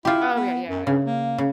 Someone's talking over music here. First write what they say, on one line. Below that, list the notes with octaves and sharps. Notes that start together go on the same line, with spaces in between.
Oh, yeah, yeah, yeah, yeah.
E4 F4 G4
B3
F#2
G2 C#3
A#3
C#3